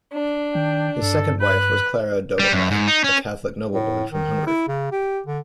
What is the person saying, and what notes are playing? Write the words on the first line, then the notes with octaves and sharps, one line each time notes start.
His second wife was Clara Dobokai, a Catholic noblewoman from Hungary.
D4
D#3 G5
G2 A4
B4 F#6
G3
F#2
G#2
D#4
C#4
A2
D#3
E4
C#3
G4
D3